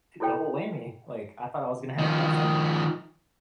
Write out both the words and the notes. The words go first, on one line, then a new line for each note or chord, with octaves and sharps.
double whammy," like, I thought I was gonna have nothing.
E4 F#4 A4 C#5 G5
D#3 F3